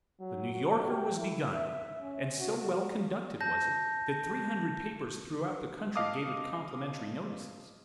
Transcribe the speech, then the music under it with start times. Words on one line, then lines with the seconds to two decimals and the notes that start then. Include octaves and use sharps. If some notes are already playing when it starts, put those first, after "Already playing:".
The "New Yorker" was begun, and so well conducted was it that three hundred papers throughout the country gave it complimentary notices.
0.20 F#3
0.53 F#4
0.86 G4
1.17 E4
1.54 E5
2.00 C#4
2.39 F#4
3.41 A5 G6 A#6
5.96 D#5 F5 A5 D6 D#6